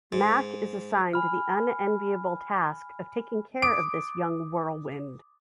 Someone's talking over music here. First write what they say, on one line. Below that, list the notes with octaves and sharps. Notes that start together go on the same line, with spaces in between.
Mac is assigned the unenviable task of taking care of this young whirlwind.
G#2
G#5 B5 F6
D6 D#6 D7